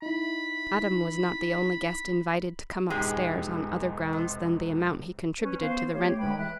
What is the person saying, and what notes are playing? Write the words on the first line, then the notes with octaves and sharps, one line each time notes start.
Adam was not the only guest invited to come upstairs on other grounds than the amount he contributed to the rent-roll.
D#4 E4 B5
E1 C#2 G#2 G#3 G4 G#4
C3
C#4 B4
B3 C5 F5
A3 G4 C#5
G#3 B4 G5 B5
E3 E5 F#6